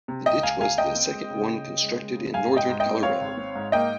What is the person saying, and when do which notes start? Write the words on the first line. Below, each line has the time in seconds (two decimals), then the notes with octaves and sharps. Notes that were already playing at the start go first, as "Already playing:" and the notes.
The ditch was the second one constructed in northern Colorado.
0.08 C3
0.26 C#2 D#5 G5
0.43 C#2 F5 G#5
0.61 C#2 F5 G#5
0.78 C#2 D#5 G5
0.95 C4
1.12 G#3
1.31 C#3
1.48 C#3
1.65 C#3
1.82 G#3
1.99 G#3
2.16 C#3
2.34 G#2 F5 G#5
2.51 G#2
2.57 D#5 G5
2.69 G#2
2.80 D#5 G5
2.86 C4
3.03 C4 C#5 F5
3.20 G#1
3.38 C4
3.55 G#2
3.72 A#3 D#5 G5